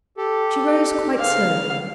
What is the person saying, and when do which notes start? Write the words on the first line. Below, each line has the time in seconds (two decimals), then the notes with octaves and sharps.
She rose quite slowly.
0.17 G4 A4
1.20 C#3 F5